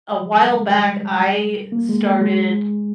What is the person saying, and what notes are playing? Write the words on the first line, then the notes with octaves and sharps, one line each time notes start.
a while back I started
F3
G3
G#3
G3
A#3
G#3
G#3